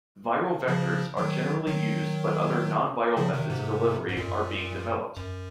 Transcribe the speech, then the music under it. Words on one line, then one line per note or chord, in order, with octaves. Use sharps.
Viral vectors are generally used but other nonviral methods of delivery are being developed.
C#3 F3
D#3 F#3
D#3 F#3
C#3 F3
C3 D#3
G#2 C3
G#2
F#2 A#2
F#2